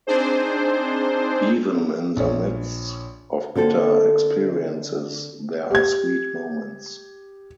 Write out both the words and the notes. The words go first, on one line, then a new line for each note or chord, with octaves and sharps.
Even in the midst of bitter experiences, there are sweet moments.
C4 D4 D#4 G#4 C5
A#1 C#5
D3 A#3 C4 A4
G4 G#6